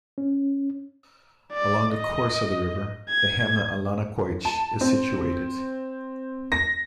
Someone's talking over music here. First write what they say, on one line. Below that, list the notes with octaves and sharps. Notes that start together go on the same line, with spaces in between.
Along the course of the river, the hamlet Allanaquoich is situated.
C#4
D5
D#5
G#6
A5
C4
A#6